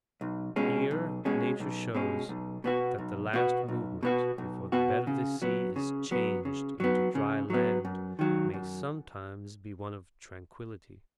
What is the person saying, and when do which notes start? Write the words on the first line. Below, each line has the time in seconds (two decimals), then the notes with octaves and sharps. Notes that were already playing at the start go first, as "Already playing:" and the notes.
Here nature shows that the last movement before the bed of the sea is changed into dry land may sometimes be one of tranquillity.
0.21 B1
0.56 B2 G#3 C#4
0.91 B1
1.25 B2 G#3 C#4
1.60 B1
1.95 B2 G#3 C#4
2.29 B1
2.64 B2 B3 F#4
2.98 B1
3.33 B2 B3 F#4
3.68 B1
4.03 B2 B3 F#4
4.38 B1
4.72 B2 B3 F#4
5.07 C#3
5.42 F#3 B3
5.76 C#3
6.11 F#3 B3
6.45 C#3
6.80 F#3 B3
7.15 C#3
7.50 F#3 B3
7.85 F#2
8.19 D#3 F#3
8.54 F#2